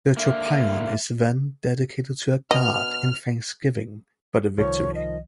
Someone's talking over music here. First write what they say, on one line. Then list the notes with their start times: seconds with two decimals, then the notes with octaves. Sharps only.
The "tropaion" is then dedicated to a god in thanksgiving for the victory.
0.17 D3 A#3 E5
2.51 B2 D#5 F6
4.58 C2 D#3 F3 C#5
4.95 D#5